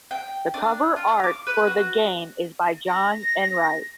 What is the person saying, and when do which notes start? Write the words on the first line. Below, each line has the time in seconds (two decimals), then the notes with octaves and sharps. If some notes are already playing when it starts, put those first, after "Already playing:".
The cover art for the game is by John Enright.
0.11 G5
0.54 D4
0.96 F4
1.24 D6
1.47 B4
1.67 F#4
2.87 A#6